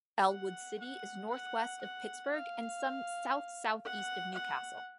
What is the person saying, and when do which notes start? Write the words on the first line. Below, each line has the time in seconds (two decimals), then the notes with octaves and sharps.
Ellwood City is northwest of Pittsburgh and some south-southeast of New Castle.
0.29 F#5
0.80 F#5
1.30 F#5
1.81 F#5
2.33 F5
3.85 F#5
4.34 F#5